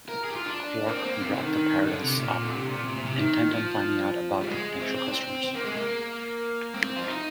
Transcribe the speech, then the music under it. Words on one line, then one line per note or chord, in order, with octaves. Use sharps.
Quark brought the Paradas up, intent on finding out about the potential customers.
A#4
G#4
G4
F4
D4
A#3
C4
A#3
C3
D3
D#3
D#3
D3
C3
A#2
D3
C3
A#2
C3
A#2
C3
D#3
F3
G3
G#3
C4
C4
D4
C4
C4
A#3
G#3
A#3
C4
F4
D#4